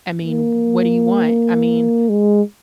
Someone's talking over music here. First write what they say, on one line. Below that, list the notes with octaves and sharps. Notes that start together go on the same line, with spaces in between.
I mean, what do you want? I mean,
A#3
G#3